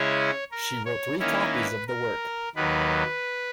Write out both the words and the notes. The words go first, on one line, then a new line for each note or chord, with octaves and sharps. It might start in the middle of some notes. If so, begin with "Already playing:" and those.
She wrote three copies of the work.
Already playing: C#3 G#3 C#4 E4 C#5
A#4
C#5
D#3 A#3 C#4 E4 C#5
B4
A#4
D#2 D#3 F#3 B4